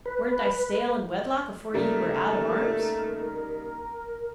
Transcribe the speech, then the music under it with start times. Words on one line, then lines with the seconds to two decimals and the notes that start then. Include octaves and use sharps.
Weren't I stale in wedlock afore ye were out of arms?
0.06 B4
1.74 C#3 G3 A3 A#3 D#4 A#4